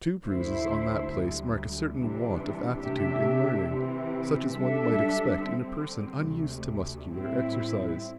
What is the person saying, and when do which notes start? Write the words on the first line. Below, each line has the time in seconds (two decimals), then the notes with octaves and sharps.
Two bruises on that place mark a certain want of aptitude in learning, such as one might expect in a person unused to muscular exercise.
0.21 D2 D3 A3 E4 C5
1.08 D2 D3 G3
1.94 C3 E3 G3 D4
2.79 C3 A3 D4 G4 E5
3.65 C3 E3 C4
4.50 G3 D4 A4 E5
5.36 D3 G3 C4
6.22 D2 C3 A3
7.08 A2 G3 C4 E4